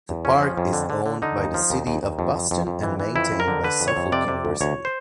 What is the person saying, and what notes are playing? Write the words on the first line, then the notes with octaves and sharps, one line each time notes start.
The park is owned by the City of Boston and maintained by Suffolk University.
E2
F2 C#4
F3
F2
D3
D3
D3
D3 D#4
D#2
F3
D#2
D#2
D#2
F2
F2
F2
F2
E3
E3
F2 E4
F2
A#4
D3
D3 B4
F2
C#5
F2
C3 D5
C3
D2
D2 C#5
C5